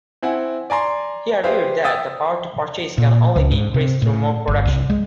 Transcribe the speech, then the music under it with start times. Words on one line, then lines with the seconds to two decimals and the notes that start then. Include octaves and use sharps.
He argued that the power to purchase can only be increased through more production.
0.22 C4 E4 F#5 G#5
0.70 D5 G#5 A#5 C6
1.44 G4 G#4 B4 C5 E5 F5
1.84 E5 G5 D#6 E6 A6
2.98 A#2
3.36 C#2
3.52 G#2
3.74 C3
4.02 A2
4.48 G1
4.66 C2
4.90 G#3